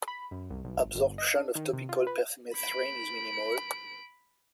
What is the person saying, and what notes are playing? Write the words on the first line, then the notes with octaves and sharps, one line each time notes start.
Absorption of topical permethrin is minimal.
B5
F#2
C2
B1
G#1
G1
D#5
D4
D#3
C3
F4
B4
B5 D7